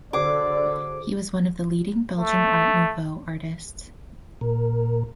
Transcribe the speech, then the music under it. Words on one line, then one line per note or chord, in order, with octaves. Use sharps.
He was one of the leading Belgian Art Nouveau artists.
D3 F#4 G#4 C5 D5 D6
A3
A#2 A#4